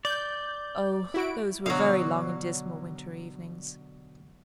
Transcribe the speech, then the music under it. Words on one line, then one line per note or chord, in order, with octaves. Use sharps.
Oh! those were very long and dismal winter evenings!
D5 G6
E4 F#4 D7
B2 D3 F#3 F5